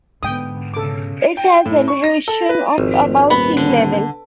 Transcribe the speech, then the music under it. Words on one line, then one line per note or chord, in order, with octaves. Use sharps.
It has elevation of above sea level.
G#2 D3 B3 G5 D#6
B1 C#3 A4 D6
G5
A2
C#6
A#6
A4
B4
G#1 F2
D#1 B3 B5
D3